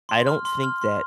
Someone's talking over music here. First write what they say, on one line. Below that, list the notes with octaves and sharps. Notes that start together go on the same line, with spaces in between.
I don't think that
C6
F6
C6
F6
C6